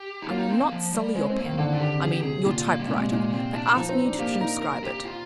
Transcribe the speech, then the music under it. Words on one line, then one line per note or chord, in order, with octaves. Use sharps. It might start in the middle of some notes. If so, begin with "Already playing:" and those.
I will not sully your pen--I mean, your typewriter--by asking you to transcribe it.'
Already playing: G4
D#4
A#3 F4
D#4
C4
A#3
F3
G3
G#3 C4
C4
A#3
D#3
D3 A#3
F4
D3 G4
C3
D3 G#4
G4
C3 G#4
A#2 F4
A#3
G3
A#2 G#3
C3
A#2 G#3
C4
D4
F3 D#4
C4
D4
A#3 G4
D#4 A#4
A#4
G4
F4